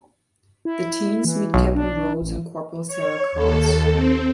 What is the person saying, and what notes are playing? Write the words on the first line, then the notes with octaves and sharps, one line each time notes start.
The teens meet Captain Rhodes and Corporal Sarah Cross.
E4
E3
B1
D4
A1
C#5
D#2 A4
C4